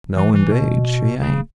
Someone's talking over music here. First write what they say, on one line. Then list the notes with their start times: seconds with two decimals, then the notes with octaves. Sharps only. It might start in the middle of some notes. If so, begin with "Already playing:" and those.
"No, indeed, she ain't."
0.16 E3
0.34 E3
0.52 B2
1.21 C#3